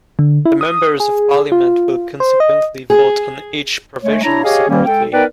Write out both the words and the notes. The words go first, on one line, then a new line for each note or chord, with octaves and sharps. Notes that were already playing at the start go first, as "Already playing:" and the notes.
The members of parliament will consequently vote on each provision separately.
D3
E4
D#6
G#4
F4
C5
D#5
G#4
G#3 A3 C#5
D4 E4 C#5 A#5
G4 G#4 C#5 D#5 F5
D#3 G3 A#3 C#4
G#3 A4 G5
B3 D#4 A#4 B4 D5 G5